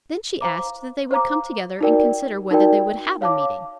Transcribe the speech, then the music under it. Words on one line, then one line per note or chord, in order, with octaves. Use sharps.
Then she asked that they would come together and consider whether they would have a meeting.
C5 F5 A#5 D6
C5 F5 A#5 D6
D#4 F#4 A#4 D5 G5
D#4 F#4 A#4 D5 G5
C#5 F5 A5 D6